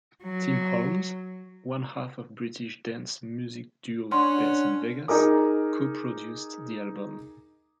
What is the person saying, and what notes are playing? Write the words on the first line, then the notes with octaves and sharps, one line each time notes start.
Tim Holmes, one-half of British dance music duo Death In Vegas, co-produced the album.
F#3
C#4 D4 F#5 C6
D#4 G#4 A#4 D6